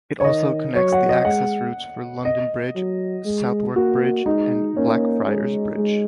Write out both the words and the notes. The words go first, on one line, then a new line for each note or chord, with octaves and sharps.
It also connects the access routes for London Bridge, Southwark Bridge and Blackfriars Bridge.
C#5
D#3 D#5
F#3 C#5
F#5
D#5
G#3 F#5
D#5
F#3
G#3
A#3 F#4
G#3 D#4
A#3 C#4
G#3
G#3